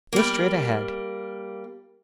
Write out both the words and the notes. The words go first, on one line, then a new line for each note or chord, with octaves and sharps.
Go straight ahead.
G3 A#3